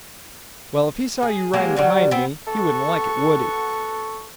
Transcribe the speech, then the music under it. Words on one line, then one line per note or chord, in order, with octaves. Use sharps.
"Well, if he saw you riding behind me, he wouldn't like it, would he?"
G#4
F#3 G#3 A#3 G4
D3 F#3 G3
B3 C4
B3 F#4 A4 C#6